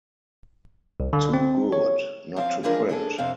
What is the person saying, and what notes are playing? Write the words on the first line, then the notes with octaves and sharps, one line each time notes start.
Too good not to print!
C2
D3
C4
C#5
F3 C4 C#4 F5
E3 F3 G#3 D4 F4 A#4
D4 G#4 A4
F2 C3 C4 F5